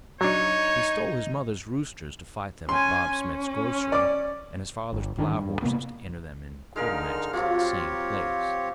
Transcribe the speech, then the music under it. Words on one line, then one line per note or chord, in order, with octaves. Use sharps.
He stole his mother's roosters to fight them at Bob Smith's grocery, and his father's plow-horses to enter them in "quarter" matches at the same place.
F#3 D4 D#4 C#5
C#4 G#5 C6
C#4
D5 D6
G1
G1 D#3 D4
G2
C3 A#3 B3
D3 G#3 D#4 A#4 F5 F6
F3 F#3 C4 F4 G4 C#5